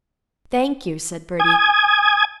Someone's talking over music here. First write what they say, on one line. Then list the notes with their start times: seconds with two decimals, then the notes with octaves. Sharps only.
"Thank you," said Bertie.
1.40 G#5 D#6 G#6